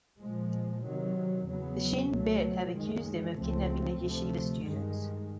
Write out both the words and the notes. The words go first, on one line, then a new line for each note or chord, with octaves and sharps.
The Shin Bet has accused them of kidnapping the Yeshiva students.
A#2 F3 G#3
C3 D#3 F#3
E2 C#3 F#3 B3
C#2 B2 F#3 A3
F#2 D#3 G#3
C#2 C#3 F3 A3 C4
D2 C3 F3 A3
G2 D#3 G#3